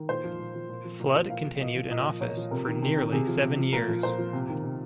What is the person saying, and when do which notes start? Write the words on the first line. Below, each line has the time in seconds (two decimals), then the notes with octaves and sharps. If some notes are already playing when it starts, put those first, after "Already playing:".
Flood continued in office for nearly seven years.
Already playing: D#3
0.09 A#2 C5
0.24 F3
0.39 A#2
0.55 F3
0.69 A#2
0.84 F3
1.00 A#2
1.15 F3
1.29 A#2 F5
1.45 F3
1.60 A#2 D#5
1.76 F3
1.90 A#2 D#5
2.06 F3
2.21 A#2 C#5
2.37 F3
2.51 C3 A#4
2.67 D#3
2.82 C3
2.97 D#3
3.12 C3 G#4
3.27 F3
3.42 C3
3.58 F3
3.73 A#2 A#4
3.88 F3
4.03 A#2 C5
4.18 F3
4.33 C3
4.49 D#3
4.64 C3